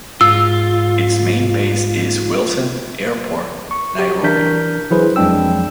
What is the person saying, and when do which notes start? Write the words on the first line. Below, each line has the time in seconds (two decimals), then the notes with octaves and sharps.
Its main base is Wilson Airport, Nairobi.
0.21 G#2 F4 E6
3.71 C#6
3.99 G4
4.23 E3 D4 A#4 G6 B6
4.90 E3 F#3 E4 G#4 B4 C5
5.16 F2 F#3 G#3 D4 G5 E6